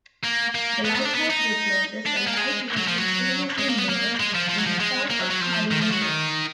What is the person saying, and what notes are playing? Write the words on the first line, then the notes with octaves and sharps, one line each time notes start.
The lighthouse replaces a light-vessel previously moored in the south of Cardigan Bay.
A#3
A#3
B3
B3
D#4
D4
B3
D#4
D4
B3
A#3
G#3
F#3
F3
F#3
G#3
A#3
B3
A#3
G#3
F3
F3
F#3
F3
G#3
A#3
F#3
F#3
F3
D#3
F3
F#3
D#3